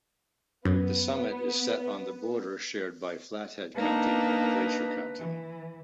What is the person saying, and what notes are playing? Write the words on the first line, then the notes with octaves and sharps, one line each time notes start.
The summit is set on the border shared by Flathead County and Glacier County.
F#2 B3
A#3 D4 D#4 B4
E3